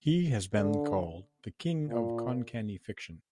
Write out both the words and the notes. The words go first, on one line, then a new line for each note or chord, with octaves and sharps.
He has been called the "King of Konkani Fiction".
D3
A#2